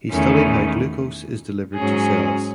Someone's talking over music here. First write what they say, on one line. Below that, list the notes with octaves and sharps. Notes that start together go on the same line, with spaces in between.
He studied how glucose is delivered to cells.
E2 D#3 A3 C#4 E4
G#2 F#3 C#4 G#4